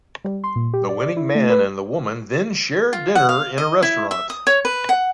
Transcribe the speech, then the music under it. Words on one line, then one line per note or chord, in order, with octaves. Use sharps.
The winning man and the woman then share dinner in a restaurant.
G3
C6
A#2
G4
D5
D5
E4
A3
B4
F4
F#5
F5
D#5
E4
E5
D#6
C#5
B4
F#5